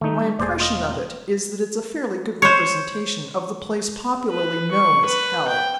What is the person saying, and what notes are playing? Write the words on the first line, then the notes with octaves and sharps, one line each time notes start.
But my impression of it is that it's a fairly good representation of the place popularly known as hell.
D#3 A3 D#4
G3
E1 B2 A#3 G#4 C5 D5
F4 D#5
C5 C#5
B4
C#6
B4
G5